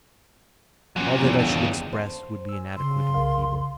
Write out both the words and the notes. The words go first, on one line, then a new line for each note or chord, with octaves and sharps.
All that I should express would be inadequate and feeble.
A#2 F3 F#3 B3 C#4
E2 B3 D4 A4
G2 C#3 E3 G#3 D4
C5 A5 C6
G#5 E6
C#3 C6
C2 A#4 F5